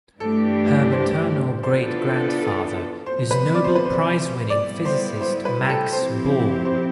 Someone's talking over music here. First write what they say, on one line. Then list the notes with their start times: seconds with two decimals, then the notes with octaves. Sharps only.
Her maternal great-grandfather is Nobel prize-winning physicist Max Born.
0.20 G2 E3 A3 D4 G4 A4
0.92 C5
1.63 E3 B3 D4 F4 A4 C5
3.06 C3 F3 B3 C5
3.31 B4
3.55 D5
3.64 C5
3.75 B4
3.85 C5
4.49 G3 B3 E4 D5
4.85 C5
5.21 C5
5.45 B4
5.65 G4
5.69 A4
5.93 F3 C4 E4 G4 C5
6.65 C5